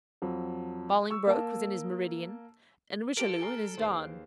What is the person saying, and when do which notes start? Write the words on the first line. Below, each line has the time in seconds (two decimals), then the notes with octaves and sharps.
Bolingbroke was in his meridian, and Richelieu in his dawn.
0.22 F2 F#3
1.10 C#6 E6
1.27 A#3 A5
3.17 F4 G4 A4 A#4 D7
3.41 G#5 A#5 F6 C7 G7
3.77 D#2 G#4 B4 C5 C7